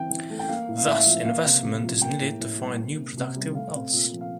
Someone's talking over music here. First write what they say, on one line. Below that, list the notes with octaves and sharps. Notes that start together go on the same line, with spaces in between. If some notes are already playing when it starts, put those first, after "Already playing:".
Thus, investment is needed to find new productive wells.
Already playing: E3 C4 G5
E3
A3
G5
A#3 F5
A2
F5
A2 E5
F3
A#3 F5
C3
C3
F3
A#3 G5
A2
A2
G3
A#3
C3
C3
G3
A3 F5
C4
A#2
F3
F5